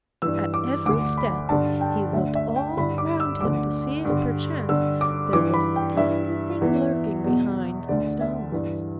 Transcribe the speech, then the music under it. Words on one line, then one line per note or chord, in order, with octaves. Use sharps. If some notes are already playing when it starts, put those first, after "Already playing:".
At every step he looked all round him to see if perchance there was anything lurking behind the stones.
G2 E3 E6
D6
D2 D3 D6
B5
G2 D3 A5
G5
D2 D3 E5
E5
G5
G2 D3 B5
D6
E6
D2 D3 D6
G2 D3
G2 D3 E6
D6
G2 E3 D6
B5
G5
G2 E3 E5
E2 E3
E2 B2
D2 D3 D5
E5
G2 E3